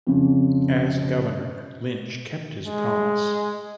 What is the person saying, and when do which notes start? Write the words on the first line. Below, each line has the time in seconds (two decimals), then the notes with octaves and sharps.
As governor, Lynch kept his promise.
0.07 F2 C#3
2.66 G#3